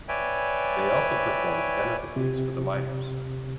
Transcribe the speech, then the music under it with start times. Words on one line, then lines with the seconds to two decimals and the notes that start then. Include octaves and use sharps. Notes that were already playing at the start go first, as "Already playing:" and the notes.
They also performed benefit gigs for the miners.
0.08 B4 C#5 D5 E5 G5 G#5
2.16 C3